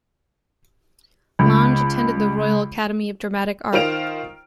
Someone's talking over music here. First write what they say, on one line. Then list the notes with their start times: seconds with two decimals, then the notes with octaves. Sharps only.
Lange attended the Royal Academy of Dramatic Art.
1.39 C#2
3.73 D#3 F4 C5 F6 D7 F7